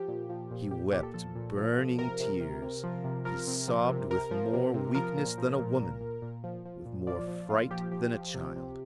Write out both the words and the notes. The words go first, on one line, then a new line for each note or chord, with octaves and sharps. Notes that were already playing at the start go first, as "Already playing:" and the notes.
He wept burning tears, he sobbed with more weakness than a woman, with more fright than a child.
Already playing: F3 G4
A#2
F3
A#2
A#2 G4
A#2 G4
A4
F3 A4
A#2
F3
F3
C3 A#4
C3
C3
C3
F3
C3
F3 A#4
C3
F3
C3
C3 A#4
F3
C3
C3
F3 A#4
A#2
F3
A#2
A#2
A#2
A#2
F3
F3
A#2
F3 D5
F3
A#2 F4
F3 G4
F3 G4
F3
C3
C3